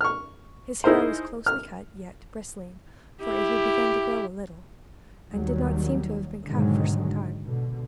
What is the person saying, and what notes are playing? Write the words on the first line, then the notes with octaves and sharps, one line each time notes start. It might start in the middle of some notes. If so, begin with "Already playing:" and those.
His hair was closely cut, yet bristling, for it had begun to grow a little, and did not seem to have been cut for some time.
C#6 F6
D#4 E4 G#4 A#4 C5
F6
E4 G4
D#2 D#3 F#3 G3
G#2 B2 D3 D#3 F#3 G#3
B2 D3